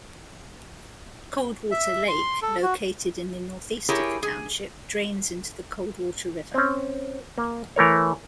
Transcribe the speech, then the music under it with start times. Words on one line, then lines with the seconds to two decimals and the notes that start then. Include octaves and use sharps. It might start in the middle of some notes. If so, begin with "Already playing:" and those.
Coldwater Lake, located in the northeast of the township, drains into the Coldwater River.
1.71 E5
2.08 C6
2.42 A4
2.63 F#4
3.89 E4 G4 G#4 A#4 C#5
4.23 G#4
6.54 C4 C#4
7.38 A#3
7.76 E3 A3 A#4 C#5